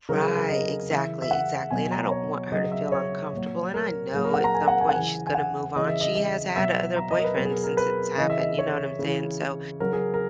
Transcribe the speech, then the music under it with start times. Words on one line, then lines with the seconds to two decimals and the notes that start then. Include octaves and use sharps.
right, exactly, exactly, and I don't want her to feel uncomfortable, and I know at some point she's gonna move on; she has had other boyfriends since it's happened, you know what I'm saying? So,
0.09 C#3 F#3 A#4
0.23 G#4
0.37 A#4
0.49 D#5
0.91 C#3 E3 E5
1.22 E5
1.31 F#5
1.71 B2 F#3 G#5
1.91 A#5
2.11 C#5
2.52 C#3 F#3 D#5
2.72 E5
2.92 C#5
3.33 A#2 F#3
3.74 A#4
4.13 A#2 F#3 G#4
4.25 A#4
4.34 F#5
4.44 A#5
4.54 G#5
4.68 F#5
4.81 G#5
4.89 F#5
4.95 C#3 E3 G#5
5.27 G#5
5.35 F#5
5.76 C#3 E3 D#5
5.87 E5
6.01 D#5
6.15 D#5
6.56 B2 F#3 E5
6.96 A#5
7.11 D#5
7.19 A#4
7.24 B4
7.37 B2 F#3 B4
7.45 G#4
7.51 A#4
7.64 A#4
7.77 B4
8.18 C#3 E3 D#5
8.30 E5
8.40 D#5
8.59 C#5
8.99 C#3 E3
9.80 C#3 F#3 A#4
9.93 G#4
10.14 A#4